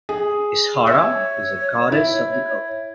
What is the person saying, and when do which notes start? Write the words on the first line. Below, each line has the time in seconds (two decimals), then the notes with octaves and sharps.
Ishara is a Goddess of the oath.
0.09 G#4
0.86 C#5 E5 C#6 E6
1.92 E4